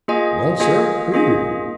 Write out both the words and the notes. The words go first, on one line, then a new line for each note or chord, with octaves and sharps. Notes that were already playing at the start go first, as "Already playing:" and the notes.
"Well, sir, who?"
A#3 F4 G#4 D#5 G#5
A#3 F4 G#4 D#5 G#5
A#3 F4 G#4 D#5 G#5